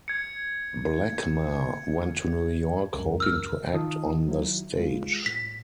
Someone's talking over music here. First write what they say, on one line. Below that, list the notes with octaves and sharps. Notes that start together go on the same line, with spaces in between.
Blackmer went to New York, hoping to act on the stage.
G#6 C#7
C#2 F#2 A#4
E6 F6
D#3 F4 A5 D#6
F#3 E4
G3 G#3 F4
A2 B6